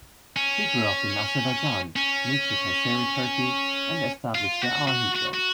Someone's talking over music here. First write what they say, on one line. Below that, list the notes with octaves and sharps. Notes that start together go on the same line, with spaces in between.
He grew up in Azerbaijan, moved to Kayseri, Turkey and established the "Ahi" guild.
C#4
C#4
F4
F#4
F#4
F#4
F#4